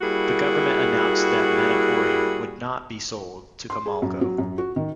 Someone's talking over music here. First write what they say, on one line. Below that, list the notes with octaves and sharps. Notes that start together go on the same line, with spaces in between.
The government announced that Manapouri would not be sold to Comalco.
G3 A#3 E4 F#4 G#4
C6
G#4
F#2
F#3
F#2
F#4
D#3